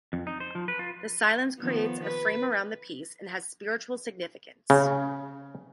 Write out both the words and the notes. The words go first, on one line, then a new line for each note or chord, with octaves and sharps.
This silence creates a frame around the piece and has spiritual significance.
F2
D#4
C5
F3
B4
F4
D#3 F3 B3
B4
C#3